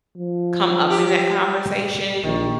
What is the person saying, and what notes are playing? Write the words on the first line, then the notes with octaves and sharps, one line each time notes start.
come up in that conversation,
F3
G4
A#1 D#3